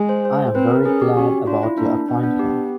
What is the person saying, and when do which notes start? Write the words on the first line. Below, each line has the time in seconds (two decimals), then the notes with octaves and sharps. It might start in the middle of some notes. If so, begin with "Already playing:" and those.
I'm very glad about your appointment.
Already playing: G#3
0.09 C5
0.25 C5
0.55 C4 B4
0.70 A#4
0.85 C#4 G#4
1.02 G4
1.16 C#4 F#4
1.47 D4 F4
1.63 E4
1.78 A#3 D4
2.09 B3 D4
2.24 D4
2.39 G4